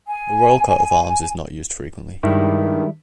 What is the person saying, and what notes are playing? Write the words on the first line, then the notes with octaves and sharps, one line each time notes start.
The royal coat of arms is not used frequently.
G#5
G2 D#3 G3 G#3 E4